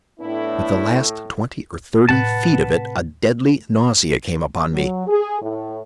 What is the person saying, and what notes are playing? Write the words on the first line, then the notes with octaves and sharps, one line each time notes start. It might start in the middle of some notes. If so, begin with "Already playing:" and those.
With the last twenty or thirty feet of it a deadly nausea came upon me.
A2 B3 D4 E4
A2 C3 B4 F#5 A5
F#3
G#4
A2